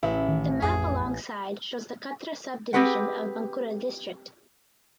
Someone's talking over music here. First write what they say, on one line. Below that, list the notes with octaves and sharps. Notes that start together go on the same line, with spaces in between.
The map alongside shows the Khatra subdivision of Bankura district.
A1 E4
D#3 E3
F2 G#4
C4 G4 G#4 B4 F#5 G5